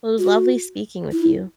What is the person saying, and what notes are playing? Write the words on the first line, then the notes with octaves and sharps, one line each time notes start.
Well, it was lovely speaking with you.
F#4
E4